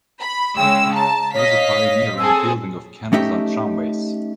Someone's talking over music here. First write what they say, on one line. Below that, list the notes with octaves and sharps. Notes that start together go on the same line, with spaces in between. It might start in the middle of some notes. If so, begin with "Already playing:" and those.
He was a pioneer in the building of canals and tramways.
B5
C#3 G#3 G5 E6
A5 A#5
C#5 D#5 F5 B6
C4 G#4 A4 E6
A3 C#4 D#4 G4 E5